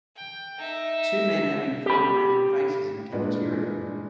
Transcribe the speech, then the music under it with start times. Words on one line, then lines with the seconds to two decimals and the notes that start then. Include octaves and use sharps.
Two men having fun and making faces in a cafeteria.
0.16 G5
0.59 D#4 E5
1.86 G4 B5
3.12 G2 A#2 E3 G#3 B4 D5